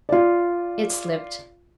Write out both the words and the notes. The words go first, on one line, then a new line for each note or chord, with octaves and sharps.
'It slipped.
F4 D5